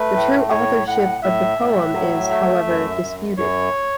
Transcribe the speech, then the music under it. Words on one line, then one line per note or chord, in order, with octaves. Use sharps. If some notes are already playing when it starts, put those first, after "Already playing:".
The true authorship of the poem is, however, disputed.
Already playing: A3 B4
A2
A2 C#5
A2 F#5
A2 E5
A2
F#3
A3
F#2
F#2
F#2 C#5